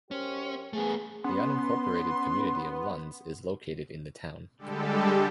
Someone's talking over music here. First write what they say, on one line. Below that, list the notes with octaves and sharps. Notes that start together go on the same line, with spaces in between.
The unincorporated community of Lunds is located in the town.
F#2 C#4 G4 C5
A3 B3 G#4
B3 C#4 C6
D3 G3 G#3 G4 A4